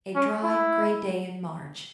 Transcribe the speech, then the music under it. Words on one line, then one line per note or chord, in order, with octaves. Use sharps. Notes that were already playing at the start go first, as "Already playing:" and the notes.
A dry, grey day in March.
C#4
E4